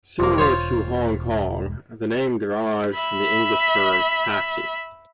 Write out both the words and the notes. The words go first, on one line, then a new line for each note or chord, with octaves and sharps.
Similar to Hong Kong, the name derives from the English term "Taxi".
E1 C2 A#3
F4 C5 C#5
E5 B5